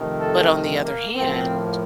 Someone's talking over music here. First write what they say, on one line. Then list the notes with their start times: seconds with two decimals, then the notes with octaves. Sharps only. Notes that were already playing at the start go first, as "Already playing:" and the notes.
But on the other hand,
Already playing: F2 C3 D#3 A3
0.19 A4
0.83 A#3
1.14 A2 F3 A#3 C4